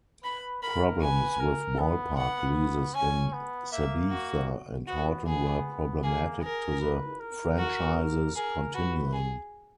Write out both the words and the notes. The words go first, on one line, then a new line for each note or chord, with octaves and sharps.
Problems with ballpark leases in Sabetha and Horton were problematic to the franchises continuing.
B4 B5
A#4 B5
B4 G#5
A#4
B3
B3 F#5
C#4 G#5
B3
A#3 E5
F#4
B3 F#4
B3 G#4
A#3 G#4
G#4 A#4
B4
A#4
F#4
G#4 A#4
F#4 B4
G#4